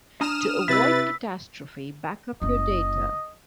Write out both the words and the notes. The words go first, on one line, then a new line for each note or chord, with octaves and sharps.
To avoid catastrophe, backup your data.
D4 G#5 A#5 D#6 F6 E7
C3 E4 B4 E6 A6 B6
F#1 E4 D#5